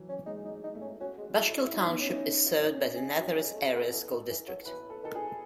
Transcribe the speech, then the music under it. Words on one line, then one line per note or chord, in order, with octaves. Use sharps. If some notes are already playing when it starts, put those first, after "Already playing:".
Bushkill Township is served by the Nazareth Area School District.
Already playing: E3 F#3
C#4
G#3 D#4
D#4
G#3
D#4
A3
C#4
C#4 F#4
G#3
G#3 E4
A3
G#3
E4
F#3 D#4
B3
C#4
E3 D#4
F#3 D#4
D#4
C#4
G#4
F#3 F#4
F#3
A4
G#3
A3
A4
B3
E3 A4
D#3
E3
F#3
E3 B4
A4
D#3 A4
G#4